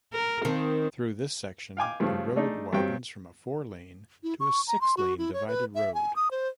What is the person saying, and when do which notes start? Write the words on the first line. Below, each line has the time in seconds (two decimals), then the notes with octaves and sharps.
Through this section, the road widens from a four-lane to a six-lane divided road.
0.13 A#4
0.45 D#3 C4
1.77 F5 G5 G#5 D6
2.00 G2 C#3 F3 A3
2.36 A3 D4 D#4 G#4
2.73 G2 F#3 G3 C4 G5
4.23 E4
4.40 C#6
4.68 A#5
4.81 C6
4.97 F#4
5.18 E4
5.33 C#5
5.48 B4
5.75 E5
5.94 G#5
6.16 D#6
6.31 C5